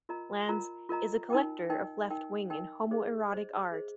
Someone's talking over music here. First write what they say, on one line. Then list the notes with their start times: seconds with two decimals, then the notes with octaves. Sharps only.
Landes is a collector of left-wing and homoerotic art.
0.09 F4 A#4 D#5 A#5
0.49 F4 A#4 D#5 A#5
0.89 F4 A#4 D#5 A#5
1.30 D#4 A#4 D#5 G5
1.70 D#4 A#4 D#5 G5
2.11 D#4 A#4 D#5 G5
2.50 D#4 A#4 D#5 G5
2.91 G#4 C5 D#5
3.31 G#4 C5 D#5
3.72 G#4 C5 D#5